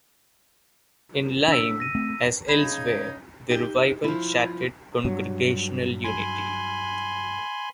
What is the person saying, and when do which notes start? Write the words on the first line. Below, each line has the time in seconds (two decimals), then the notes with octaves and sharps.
In Lyme, as elsewhere, the revival shattered congregational unity.
1.48 D4 E6 B6
1.80 A#6 D#7
1.95 A3 C4
2.48 C#3 D#4 B5 G#6
3.49 D#4 G4
4.04 F3 E4
5.05 G2 F#3
6.04 G#5 B5 C6